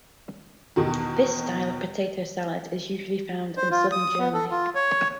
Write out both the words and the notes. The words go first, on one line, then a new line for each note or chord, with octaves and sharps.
This style of potato salad is usually found in Southern Germany.
E2 B2 D#3
C5
F4
D#6
B3
A4
F4
C#5